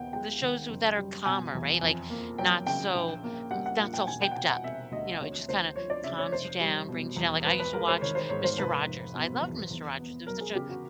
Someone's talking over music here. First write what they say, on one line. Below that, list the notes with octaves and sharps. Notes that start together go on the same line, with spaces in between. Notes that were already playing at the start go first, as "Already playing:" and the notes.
the shows w that are calmer, right, like, not so n not so hyped up, you know, it just kinda calms you down, brings you down, like, I used to watch Mister Rogers, I loved Mister Rogers, it was such a
Already playing: D#2 B3 F#5 G5
G#3 G5
D#3
F#1
G3
B2 G#5
E2
F2
A#3
F#3 G5
C#3 G5
A#1
A#3
G3 F#5
F#5
A#2
G5
E1 G#5
G5
F#5
E1 G5
F#5
C3 E5
D2 D#5
D2 C#5
D2 C5
F3 C#5
D5
C#3 E5
C#5
F1 C5
G3
B2
E2
G#1 B4
B4
G#3 A#4
C5
D#3 C#5
C5
G#2 C#5
C5
F1 B4
F1
B2
E2
E2
B3
F#3 A#4
G#4
C#3 G4
F#4